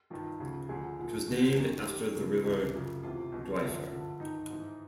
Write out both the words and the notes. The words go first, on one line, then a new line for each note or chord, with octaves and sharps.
It was named after the river Dwyfor.
G2 D#3 F4
D2 C#3 F3
D2 D3 F3 G#4
C2 A#2 F3
D#2 D3 F3
F#2 D#3
F#2 D#3 G4
D#2 C#3 F3
C#2 C3 E3
F#2 C#3 F3
D2 C3 E3 F4
C#2 B2
F#2 D3 F3 E4
G2 D3 F3
G2 D#3 D#4
G#2 E3